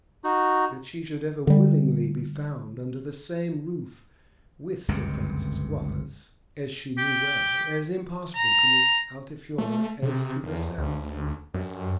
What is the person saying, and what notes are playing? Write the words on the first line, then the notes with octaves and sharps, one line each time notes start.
That she should ever willingly be found under the same roof with Sir Francis was, as she knew well, as impossible to Miss Altifiorla as to herself.
D#4 F#4
D3 G3
G1 C#2 F#2 C3
G4
A#5
A3
C3
E2
D2
F#2